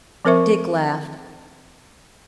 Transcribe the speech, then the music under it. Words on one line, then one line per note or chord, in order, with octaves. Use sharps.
Dick laughed.
F3 C4 A#4 C5 E5 C#6